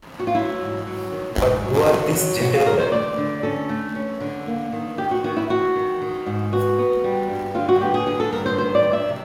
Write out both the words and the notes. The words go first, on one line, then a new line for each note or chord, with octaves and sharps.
But who are these gentlemen?
F#4
F4
F#3 E4
G#2
F#3
D#3
G#2
F#3
F#3
F#3
F#3 F#4
F4
D3 A#4
C5
A3 D5
D3
C#4 A4
A3
C#4
D3
A#3
D#3
D#3 G4
F#4
D#3 F#4
E4
D#3 F#4
D#3
D#3
G#2
B3 F#4
B3
G3
G2
D3 F4
F#4
B3 G4
G#4
D3 G#4
A4
G2 A#4
C5
D#3 C5
D5
D#3
E5
C3